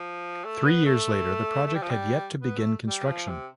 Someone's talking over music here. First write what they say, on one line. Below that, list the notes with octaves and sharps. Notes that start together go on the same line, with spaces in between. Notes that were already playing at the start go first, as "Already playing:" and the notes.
Three years later, the project had yet to begin construction.
Already playing: F3
A3
B3
A3
A3
G3
F3
G3
B3
A3
G3
F3
C3